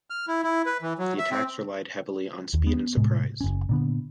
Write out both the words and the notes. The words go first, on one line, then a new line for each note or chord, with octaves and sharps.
The attacks relied heavily on speed and surprise.
F6
E4
E4
B4
E3
F#3
E5
C4
D#2
B3
A2 C3 G#3
F#1 C#4
A#2 D3 B3